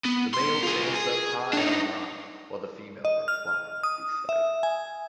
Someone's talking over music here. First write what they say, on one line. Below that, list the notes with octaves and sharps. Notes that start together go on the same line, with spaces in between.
The male stands up high on a rock, while the female reclines beside it.
B3
C2 C6
F4 G#4
G#4
D4 D#4
D#5
F6
D#6
E5
G#5